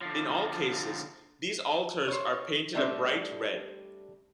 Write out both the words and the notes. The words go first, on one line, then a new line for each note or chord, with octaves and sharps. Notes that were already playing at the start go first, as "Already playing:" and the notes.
In all cases, these altars are painted a bright red.
D3 F3
C5 C#5
G3 A3 C4 D4 E5